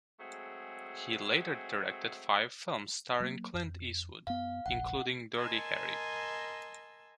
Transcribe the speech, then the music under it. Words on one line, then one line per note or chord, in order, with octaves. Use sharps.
He later directed five films starring Clint Eastwood, including "Dirty Harry".
F#3 G#3 A3 C4 G#4
F#3 A#3
F2
F#2 B3 F5
F1 A#1 F#5
A#4 D#5 G#5 A5 C6 E6